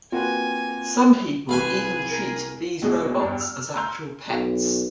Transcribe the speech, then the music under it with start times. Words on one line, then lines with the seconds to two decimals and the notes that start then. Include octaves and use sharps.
Some people even treat these robots as actual pets.
0.12 A#3 C4 F4 F#4 B4 G#5
1.49 C2 G#4 B4 F5 G#5
2.09 A#4
2.82 A#1 B2 G#3 D#6
3.19 E2 G2 G3 D4
3.40 E6 F6
3.76 A#5 C6 E6 F6 G6
4.29 B1